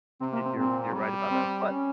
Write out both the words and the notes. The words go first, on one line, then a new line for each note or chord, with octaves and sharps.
y you're you're right about that, but
C3 C4
A#3
C4
A#2 C4
G3
C4
C#4